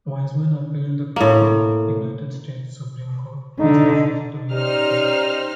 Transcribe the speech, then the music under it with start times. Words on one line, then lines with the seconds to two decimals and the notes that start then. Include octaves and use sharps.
Wiseman appealed to the United States Supreme Court, which refused to hear the case.
1.16 A2 A#3
3.59 D3 D#4
4.51 C#4 D#4 G4 C5 D5 F6